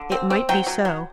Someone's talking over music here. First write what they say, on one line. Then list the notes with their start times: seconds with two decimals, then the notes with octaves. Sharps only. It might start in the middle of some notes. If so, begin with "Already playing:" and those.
It might be so.
Already playing: D3
0.12 C4
0.30 C4
0.49 F#3 G5
0.67 F#3
0.85 F#3